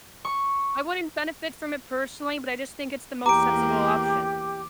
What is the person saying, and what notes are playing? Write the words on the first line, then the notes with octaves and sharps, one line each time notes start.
I wouldn't benefit from it personally, but I just think it's the most sensible option.
C#6
E2 A#3 G4 A#5 D6 D7